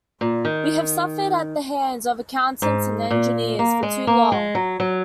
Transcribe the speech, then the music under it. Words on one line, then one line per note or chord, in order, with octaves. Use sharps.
We have suffered at the hands of accountants and engineers for too long.
A#2
D#3
G#2
A#2
A#3
G#3
A#3
G#3
F#3
F#3